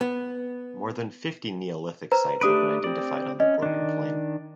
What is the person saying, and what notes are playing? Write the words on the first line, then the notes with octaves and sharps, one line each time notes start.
More than fifty Neolithic sites have been identified on the Gorgan Plain.
B3
B4 C5 A#5
A3 D4 G4 B4 D#6 D7
C4 D5
C#4 D#5
D#3 D4